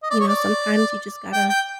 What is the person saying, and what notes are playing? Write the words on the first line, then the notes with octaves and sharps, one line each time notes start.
you know, sometimes you just gotta
D#5
D5
C#5
D5
G5
G5